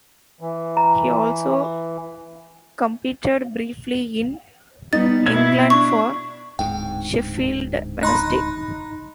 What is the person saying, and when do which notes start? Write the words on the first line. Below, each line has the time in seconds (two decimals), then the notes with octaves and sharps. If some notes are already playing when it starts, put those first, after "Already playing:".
He also competed briefly in England for Sheffield Wednesday.
0.41 E3
0.77 A#5
4.93 G3 B3 D#4 A6
5.26 B2 E4 G#6
5.70 D4 C#6
6.59 D1 G#2 G5
8.03 D#4 B5 C6 F#6